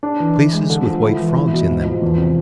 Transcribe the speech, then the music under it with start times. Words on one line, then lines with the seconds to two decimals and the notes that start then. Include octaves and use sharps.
Places with white frogs in them.
0.03 D4
0.20 E3
0.36 E4
0.53 G#3
0.70 D3
0.86 F3
1.02 E4
1.19 E3
1.36 E4
1.53 B2
1.69 G#2
1.85 F3
2.02 E2
2.18 C3